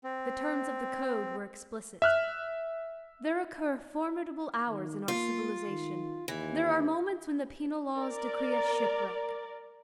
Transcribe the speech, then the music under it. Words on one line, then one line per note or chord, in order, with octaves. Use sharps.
The terms of the Code were explicit. There occur formidable hours in our civilization; there are moments when the penal laws decree a shipwreck.
C4
E5 F6 F#6
D#3
A#3 F4
D#3
D#2 E3
A#4 D5